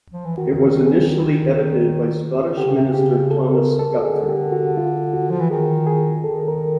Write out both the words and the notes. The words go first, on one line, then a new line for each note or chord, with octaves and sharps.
It was initially edited by Scottish minister Thomas Guthrie.
F3
E3
D#3 F#4
G#4
D3 G4
C#3
C3
C#3
G4
A4
A#4
A4
D3 G#4
G4
F#4
F4
F#4
F3
E3
D#3 G#4
G#4
D#3 A4
A#4